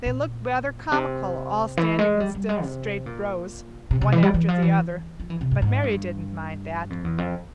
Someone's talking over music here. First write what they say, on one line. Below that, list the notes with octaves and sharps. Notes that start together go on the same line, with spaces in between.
They looked rather comical, all standing in stiff, straight rows, one after the other; but Mary did not mind that.
A#2
C3
E3
G#3
G3
G3
G#3
C3
A#2
C3
C3
E3
G3
E3
F3
E3
F3
E3
C3
G#2
G#2
G2
F2
E2
F2